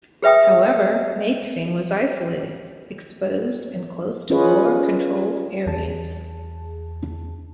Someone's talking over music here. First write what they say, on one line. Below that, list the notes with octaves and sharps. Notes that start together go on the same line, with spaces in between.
However, Mafeking was isolated, exposed and close to Boer controlled areas.
G#4 B4 E5 G5 D#6
C#4 F4 G#4 B4 C#5 D#5
E2 G#4 A5